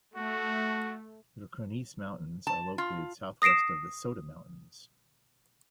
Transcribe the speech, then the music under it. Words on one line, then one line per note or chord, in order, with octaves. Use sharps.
The Cronese Mountains are located southwest of the Soda Mountains.
A3 F#4
A5
F4
D#6 A#6 C7 D7 E7